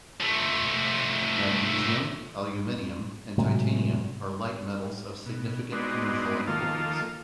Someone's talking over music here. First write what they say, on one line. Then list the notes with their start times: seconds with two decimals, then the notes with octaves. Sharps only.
Magnesium, aluminium and titanium are light metals of significant commercial importance.
0.21 F3 A3
3.38 A2 C3 F#3 G#3
5.26 B2
5.72 G#3 B3 C4 D4 D#4 F#4
6.47 D#3 F3 A#3 F4 A4